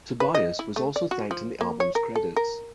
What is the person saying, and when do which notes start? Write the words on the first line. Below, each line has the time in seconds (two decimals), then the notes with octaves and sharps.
Tobias was also thanked in the album's credits.
0.20 B4
0.35 D#5
0.59 E4
0.76 A3
0.96 D5
1.11 F#4
1.31 F3
1.61 A#3
1.80 C#5
1.95 A#4
2.16 A4
2.36 A#4